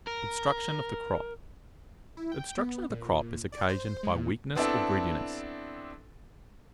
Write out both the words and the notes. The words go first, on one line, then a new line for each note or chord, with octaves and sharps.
OBSTRUCTION OF THE CROP.--Obstruction of the crop is occasioned by weakness or greediness.
A#4
E4
G5
B3
A#2
D5
C5
G#3
A#2
B3 C4 D4 E4 A4